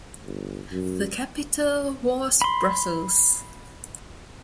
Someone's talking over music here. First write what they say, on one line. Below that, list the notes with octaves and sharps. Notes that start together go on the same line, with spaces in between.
The capital was Brussels.
G1
F#2
B5 C6